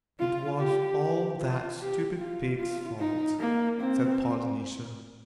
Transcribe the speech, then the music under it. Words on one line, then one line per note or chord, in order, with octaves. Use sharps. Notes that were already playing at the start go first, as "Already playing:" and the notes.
"It was all that stupid pig's fault," said Polynesia.
F4
G4
G4
F4
G4
F4
F4
D#4
A#3
C4